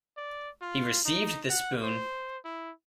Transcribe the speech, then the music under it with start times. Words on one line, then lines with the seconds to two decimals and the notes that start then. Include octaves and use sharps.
He received this boon.
0.17 D5
0.62 F4
1.06 D#4
1.50 F#5
1.83 C5
2.45 E4